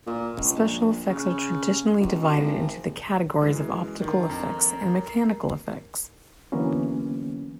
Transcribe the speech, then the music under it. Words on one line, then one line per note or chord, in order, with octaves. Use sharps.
Special effects are traditionally divided into the categories of optical effects and mechanical effects.
A#2
C#2
A#1
C#3
C#2
B2
G#1
F#2 E3 G#3
D#3 D4 A#4
F2
C7
D3 E3 F#3 A#3 B3 C#4